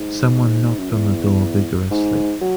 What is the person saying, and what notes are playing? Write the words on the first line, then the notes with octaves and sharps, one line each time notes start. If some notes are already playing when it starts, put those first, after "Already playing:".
Someone knocked on the door vigorously.
Already playing: G#2
F#2
E2
G#2
F#3